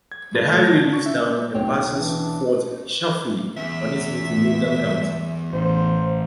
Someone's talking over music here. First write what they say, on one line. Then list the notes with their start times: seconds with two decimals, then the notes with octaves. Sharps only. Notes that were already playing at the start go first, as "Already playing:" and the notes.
The highway leaves town and passes Fort Chaffee on its way to Logan County.
0.12 G#6
0.35 G2
0.47 A3
0.64 A#6
0.82 D4
0.93 C#6
1.06 E5
1.55 B1 C4 C#5
1.94 E3 D4
3.57 E2 E5
5.53 A1 C5